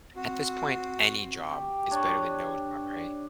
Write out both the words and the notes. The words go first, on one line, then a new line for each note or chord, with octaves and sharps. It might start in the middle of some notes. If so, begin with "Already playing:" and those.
at this point, any job is better than no job, right?
C4 F#4
G4
D4 C#5